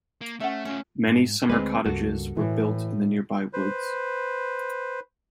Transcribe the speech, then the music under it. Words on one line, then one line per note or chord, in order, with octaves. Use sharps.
Many summer cottages were built in the nearby woods.
A#3
A3 C#4 E5 F#5
A3 C#4 F4
G#2
D2 G#3 C4 B4
C#2 G2 A#3 F#4 A4
A2 E3
B4 C5